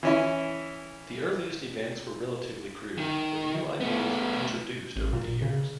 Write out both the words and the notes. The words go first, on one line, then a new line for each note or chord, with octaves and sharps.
The earliest events were relatively crude, but new ideas were introduced over the years.
E3 C#4 E4
D#3
A3 B3
A1
A#2
C#3